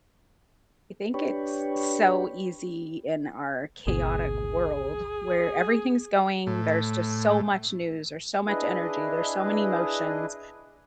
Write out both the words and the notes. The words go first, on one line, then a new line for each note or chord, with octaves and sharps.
I think it's so easy in our chaotic world where everything's going, there's just so much news or so much energy, there's so many emotions
D4 G4 B4 C#5
G#1 D2 B2 G#4
A2
D4 E4 G#4 B4 D#5